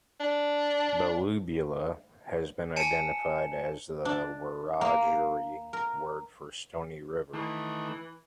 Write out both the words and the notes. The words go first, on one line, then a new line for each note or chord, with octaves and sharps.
"Belubula" has been identified as the Wiradjuri word for "stony river".
D4
G#5 A5 C#7 E7
D4
A#3
A#4
D#3 E3 A3